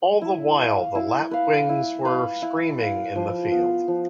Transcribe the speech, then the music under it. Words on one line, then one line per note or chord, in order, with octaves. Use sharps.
All the while the lapwings were screaming in the field.
E4
B4 F5
E4
B4 F5
E4
B4 F5
E4
B4 F5
F3
B3 F4
F3